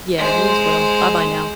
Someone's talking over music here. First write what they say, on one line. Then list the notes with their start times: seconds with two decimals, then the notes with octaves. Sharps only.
Yeah, you as well. Bye-bye now.
0.18 G#3 C5